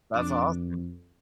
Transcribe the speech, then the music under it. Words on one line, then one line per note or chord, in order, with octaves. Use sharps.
That's awesome.
F2 D4